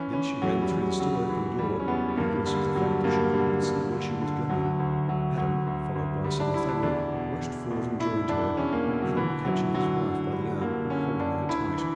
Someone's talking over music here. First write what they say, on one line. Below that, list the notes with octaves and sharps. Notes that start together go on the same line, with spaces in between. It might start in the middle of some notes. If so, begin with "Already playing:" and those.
Then she ran through the still open door, heedless of the fact that she could not see where she was going. Adam, followed by Sir Nathaniel, rushed forward and joined her--Adam catching his wife by the arm and holding her tight.
Already playing: E3 C#4
E3 C#4
E2 F#3
G3
E2
F#3
C#3 F#3
E3
E2 G3
C#4
E2 B3
G3
G2 A#3
D3 G3
G2 F#3
G3
G2 A#3
A#3
D3 G3
G2
D3
D3
D2 F#3
D2
D2 F#3
D2 F#3
D2
D2
D2 G3
D4
D2 E4
D4
E2 D4
B2
E2
B2
B2 E4
E2 D4
E2 C#4
A#3
B2
F#3
D3 E3
F#2 F#3
D3 F#3
D3
D3 G3
D3 A#3
D3 C#4
D3 D4
D2 E4
E3